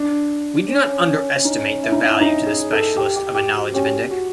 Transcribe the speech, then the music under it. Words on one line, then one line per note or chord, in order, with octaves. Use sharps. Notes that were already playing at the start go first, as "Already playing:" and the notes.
We do not underestimate the value to the specialist of a knowledge of Indic.
Already playing: D4
C#4
D#4
E4
D#4
E4
D#4
G#4
A4
G4
G4
G4
G4
F#4
C#4 G4
F#4